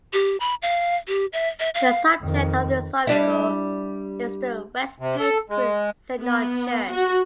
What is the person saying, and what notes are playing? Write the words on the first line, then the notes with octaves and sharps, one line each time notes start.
The subject of this article is the West Paint Creek Synod Church.
G4
B5
F5
G4
E5
E5
F5
F2 D#3
G3 D4 E4
C3
A4
G#3
B3
F#4